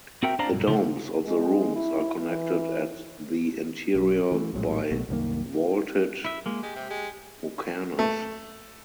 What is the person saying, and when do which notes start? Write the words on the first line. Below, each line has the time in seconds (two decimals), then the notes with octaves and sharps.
The domes of the rooms are connected at the interior by vaulted muqarnas.
0.23 C4 F#4 A#4 E5 G5
0.39 D4 C5 D5 F5 A5 A#5
0.51 B1 G2
0.67 C#3 F3 D4 C5
1.26 G#3
1.75 E4
2.20 E3
3.95 B1 F#3
4.32 E3 A3
4.53 A#1 A2 F#3 G#3
4.91 B1 B2 A3
5.09 C2 F#2 D#3 A#3
6.25 E4 E5
6.46 G#3 A#3
6.63 G#3 G4
6.76 C3
6.90 G#3
7.99 A3